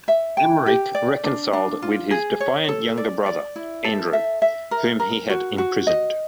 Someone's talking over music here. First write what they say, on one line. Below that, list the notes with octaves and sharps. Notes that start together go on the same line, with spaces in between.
Emeric reconciled with his defiant younger brother, Andrew, whom he had imprisoned.
E5
G5
G4
D5
D4
D4
F4
G#4
C#5
A4
D5
D5
E4
A4
E5
E5
A#4
A#4
F#4
F#4
D#5